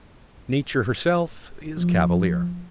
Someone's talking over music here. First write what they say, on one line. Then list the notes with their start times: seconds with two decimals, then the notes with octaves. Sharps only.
Nature herself is cavalier.
1.77 F3